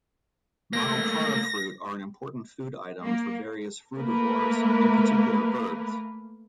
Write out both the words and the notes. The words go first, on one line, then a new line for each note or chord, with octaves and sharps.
"Manilkara" fruit are an important food item for various frugivores, in particular birds.
A3 A#3 A#6
A#3
A3 A#3 A#4 B4